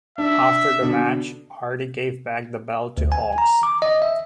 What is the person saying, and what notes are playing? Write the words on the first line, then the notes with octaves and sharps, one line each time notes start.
After the match, Hardy gave back the belt to Hawx.
D4 E5
B2 D3 D4
D2
G#5
A#5
D6
D#5
E5